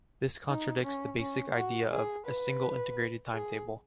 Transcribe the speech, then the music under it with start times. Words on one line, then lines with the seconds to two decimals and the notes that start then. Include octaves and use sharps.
This contradicts the basic idea of "a single Integrated Timetable".
0.48 D#4
0.83 C#4
1.19 C#4
1.54 F#4
1.91 G#4
2.26 B4
3.33 G#4